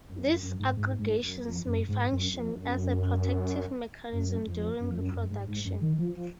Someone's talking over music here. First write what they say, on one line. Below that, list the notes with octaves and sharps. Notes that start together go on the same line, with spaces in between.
These aggregations may function as a protective mechanism during reproduction.
F#2
F#2
F#2
G#2
G#2
G#2
F#2
F2
F#2
G#2
F#2
F2
F#2
F#2
F2
F#2
F2
F#2
F#2
G#2
G#2
F#2
D#3
F3
F3